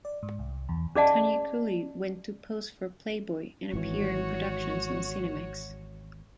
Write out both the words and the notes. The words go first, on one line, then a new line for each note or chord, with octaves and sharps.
Tonya Cooley went to pose for "Playboy" and appear in productions on Cinemax.
D5
G#2
C2
E2
C#4 G#4 D5 D#5 F#5 A5
G#1 E3 F#4 C#5